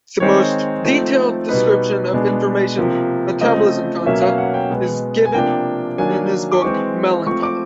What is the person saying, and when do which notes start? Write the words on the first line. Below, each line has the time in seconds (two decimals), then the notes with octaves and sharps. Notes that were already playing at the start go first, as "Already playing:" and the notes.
The most detailed description of information metabolism concept is given in his book "Melancholy".
0.20 D#3 G#3 C4 D#4 C#5
0.85 F3 A3 C4 D#4
1.49 B2 G3 B3 D#4 B4
2.13 B2 G#3 B3 D4
2.78 C3 F3 A#3
3.41 C#3 F3 A3 C4 D#5
4.06 B2 F#3 A#3 C#4 E5
4.22 F5
4.38 F#5
4.54 G5
4.70 B2 G#3 B3
5.25 G#5
5.34 C3 F3 A#3 D4 G5
5.98 D#3 F#3 A#3 D4 G#5
6.52 D6
6.62 E3 G#3 C4 C#6
7.26 F3 A3 C4 C#6
7.43 D6